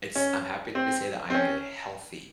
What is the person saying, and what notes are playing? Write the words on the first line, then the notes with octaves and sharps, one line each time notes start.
It's I'm happy to say that I am in a healthy
C#4
C4
C4
C#4